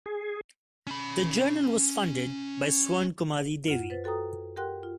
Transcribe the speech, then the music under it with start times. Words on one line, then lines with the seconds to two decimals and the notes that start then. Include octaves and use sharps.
The journal was funded by Swarnakumari Devi.
0.06 G#4
0.87 C#4 B5
3.66 F#2 F4 F#5
3.90 B4 C5 A6
4.04 F#4 A4 G5 A#5 D#6
4.56 G4 A#4 F#5 G5 C6 F#6
4.83 F4